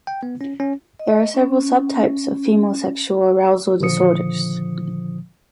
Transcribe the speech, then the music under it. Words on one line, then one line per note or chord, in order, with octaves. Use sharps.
There are several subtypes of female sexual arousal disorders.
G5
B3
C#4
C#4
D#5
C#4
A#2 D3 D#3 F3 D#6 C#7